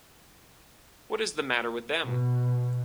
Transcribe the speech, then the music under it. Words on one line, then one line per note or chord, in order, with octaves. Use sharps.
What is the matter with them?
B2